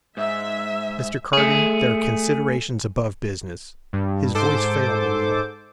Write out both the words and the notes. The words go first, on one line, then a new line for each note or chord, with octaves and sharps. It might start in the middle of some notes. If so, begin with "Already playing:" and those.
Mr. Cargan, there are considerations above business.' His voice failed a little.
G#2 E5
A3 G#4
G2
G#2 A4 C5 D6